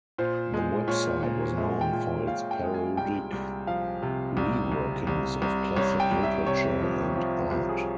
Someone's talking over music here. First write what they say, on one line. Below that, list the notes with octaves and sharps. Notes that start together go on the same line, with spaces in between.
The website was known for its parodic reworkings of classic literature and art.
A#2 C5
G#3
A#2 C#5
A#2
G#3 E5
G5
A#2
A#2 F5
G5
G#3
G#5
C2 G5
C2
F3 F5
C3
C2
C2
C2
C2
C2 C#5
G5
C2
E5
C3 C#5
F3
F3 F4
C2 F4
G#4